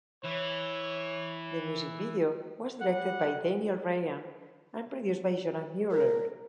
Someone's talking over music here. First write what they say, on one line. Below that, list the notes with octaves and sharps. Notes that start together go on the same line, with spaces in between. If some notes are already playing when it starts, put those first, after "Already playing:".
The music video was directed by Daniel Ryan and produced by Jonah Mueller.
E3 E4 C#5
G3 F#5
A#4